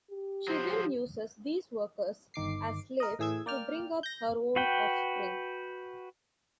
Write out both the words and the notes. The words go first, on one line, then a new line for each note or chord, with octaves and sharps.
She then uses these workers as slaves to bring up her own offspring.
G4
F3 F#3 C5
G1 D#3 D6 C7
A#4 D#5
A2 E3 G#4 E6 G#6
A#3 D5 G5 F6
G6 A#6
F#4 B4 G5